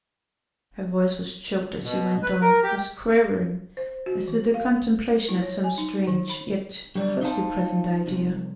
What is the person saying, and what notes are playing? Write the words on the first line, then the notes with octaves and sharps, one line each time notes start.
Her voice was choked as she went on--was quavering as with the contemplation of some strange, yet closely-present idea.
B2
B4
A#4
G4
C5
F#4
E3
F5
E4
C#5
G#5
D#4
D#3
B5
D3 F#3 G3 G4 C#5 D5
D#4 C5 D#5 F5 A5
C2 F2 C3